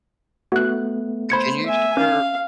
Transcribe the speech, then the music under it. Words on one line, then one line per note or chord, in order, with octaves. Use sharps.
can you share
A3 B3 F#4 F#6
C5 B5 G#6 C#7
E5 G#5
C#4 F5